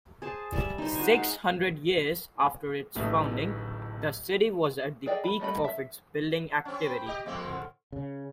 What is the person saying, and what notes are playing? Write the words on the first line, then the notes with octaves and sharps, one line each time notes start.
Six hundred years after its founding, the city was at the peak of its building activity.
G#4 C5 A5
G3 D5 E5
D#4 C5
F#4 C5 G#5
G#3 F5
D1 A1 A2 A3 D#4
G#4 A4 D5 D#5 G5
B5
G3 A3 D#5 B5
E5
C4 C#4
G5 B5
G4 D#5
F2 G#3 A#3 C4
A2 D3 D#3
C#3